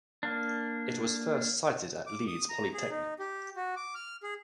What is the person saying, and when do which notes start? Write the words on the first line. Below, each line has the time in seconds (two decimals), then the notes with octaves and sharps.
It was first sited at Leeds Polytechnic.
0.23 A#3 D4
2.07 D6
2.28 D#6
2.49 A#5
2.73 G#4
2.90 D#4
3.19 G4
3.56 F#4
3.76 D6
3.95 F6
4.23 G#4